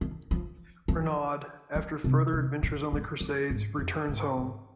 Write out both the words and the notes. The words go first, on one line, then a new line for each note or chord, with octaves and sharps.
Renaud, after further adventures on the Crusades, returns home.
D#3
F3
F3
F3
C3
C3
A#2
G#2
F2
G#2
F2
G#2
G#2